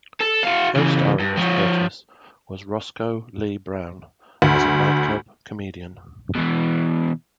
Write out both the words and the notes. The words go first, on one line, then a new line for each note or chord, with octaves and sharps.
Co-starring with Curtis was Roscoe Lee Browne as a nightclub comedian.
A4
F#4 F5
C#3 E3
G2
F3 C#5
D2
B2 E3